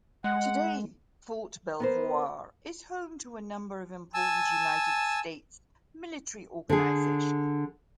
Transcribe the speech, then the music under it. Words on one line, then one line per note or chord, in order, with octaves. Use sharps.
Today, Fort Belvoir is home to a number of important United States military organizations.
G#3 F#5
B3 A#4 C5
G#5 A5 E6
D3 G#4